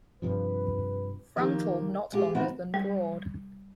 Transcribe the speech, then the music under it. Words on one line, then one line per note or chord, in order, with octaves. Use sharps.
Frontal not longer than broad.
G2 C3 F3 B4
D#3 F3 A#3 G4
G#3 F4 G4 G#4
D#3 A3 B3 C4 F#4 B4
G3